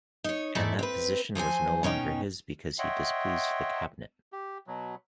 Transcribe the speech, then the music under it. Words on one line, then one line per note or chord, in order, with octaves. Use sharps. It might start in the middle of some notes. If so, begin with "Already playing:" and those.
And that position was no longer his because he displeased the Cabinet.
D#4 C#5
G#2 A3 E4 A4 D5 E5
C4 B4
F3 F#3 C5 G#5
B2 C#4 D#4 G5
C#5 D#5 E5 F#5 G5 C6
G4
B2 F#3